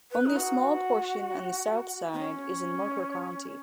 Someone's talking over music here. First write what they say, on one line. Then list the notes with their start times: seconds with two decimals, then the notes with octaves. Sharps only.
Only a small portion on the south side is in Mercer County.
0.12 B4
0.26 D#4
0.37 F#4
2.14 B3
2.19 C#4